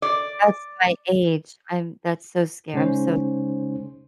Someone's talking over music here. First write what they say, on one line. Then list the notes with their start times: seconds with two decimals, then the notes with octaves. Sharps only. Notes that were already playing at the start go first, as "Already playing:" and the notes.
That's my age, I'm that's so scary, I'm so
0.02 D5
2.74 C#3 G#3 C#4 D#4 C5